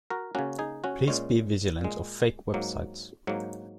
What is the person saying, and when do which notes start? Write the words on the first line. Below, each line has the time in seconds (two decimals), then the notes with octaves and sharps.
Please be vigilant of fake websites.
0.10 F#4 A#4
0.35 C#3 A#3 C#4 F#4
0.59 D#4 G#4
0.84 C#4 F#4
1.08 A#2 G#3 C#4
1.81 A#2 G#3
2.54 G#2 F#3 A#3
3.27 G#2 F#3 A#3